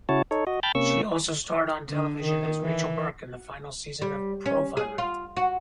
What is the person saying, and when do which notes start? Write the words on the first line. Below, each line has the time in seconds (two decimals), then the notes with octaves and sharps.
She also starred on television as Rachel Burke in the final season of "Profiler".
0.09 C#3 E4 F#4 C#5 A5
0.31 D#4 A4 C#5
0.47 F#4 D#5
0.63 G5 A5 B5 F6 G6 A6
0.75 C3 A#3 C#4 C#6 E6
1.89 D3
2.23 D#3
2.61 E3
4.02 G3
4.46 C#4
4.77 G#4
4.98 F4
5.37 F#4